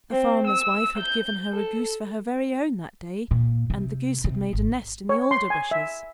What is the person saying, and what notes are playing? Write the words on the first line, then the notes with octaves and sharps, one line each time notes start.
The farmer's wife had given her a goose for her very own that day, and the goose had made a nest in the alder bushes.
C4
E6
G6
A4
A#2
C3
C3
G#1
C#5
C6
G#5
E5